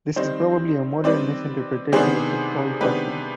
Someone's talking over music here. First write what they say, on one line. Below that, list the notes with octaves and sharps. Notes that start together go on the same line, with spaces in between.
This is probably a modern misinterpretation of the old custom.
D#3 G3 C4 C5 D#5
D#3 G3 C4 B4 D5
C3 D#3 B3 D4 G#4 C5
C3 D#3 B3 D4 G4 B4